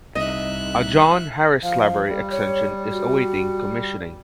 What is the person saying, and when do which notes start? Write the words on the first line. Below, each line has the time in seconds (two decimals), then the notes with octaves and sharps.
A John Harris Library extension is awaiting commissioning.
0.15 C2 D#4 D#5 E5 F#6
1.63 F3 F5
2.08 G3
2.31 C#5
2.92 F#4